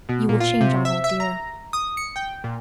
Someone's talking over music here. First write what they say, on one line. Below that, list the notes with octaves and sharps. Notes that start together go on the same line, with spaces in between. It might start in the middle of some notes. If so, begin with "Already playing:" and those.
You will change all that, dear.
B2
A#2
F4
C3
E5
E5
A#5
D#6
C#7
G5
A#2